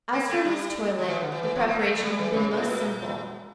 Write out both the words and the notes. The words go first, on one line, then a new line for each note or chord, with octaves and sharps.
As for his toilet, the preparation had been most simple.
A#3
A3
G3
F3
E3
D3
E3
E3
F3
A#3
A3
A3
G3
E3
C#3
A#2
A2
A#2